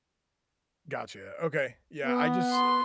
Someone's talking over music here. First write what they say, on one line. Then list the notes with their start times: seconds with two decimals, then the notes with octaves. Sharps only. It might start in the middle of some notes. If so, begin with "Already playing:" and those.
gotcha. Okay, yeah. I just
2.04 B3
2.51 C6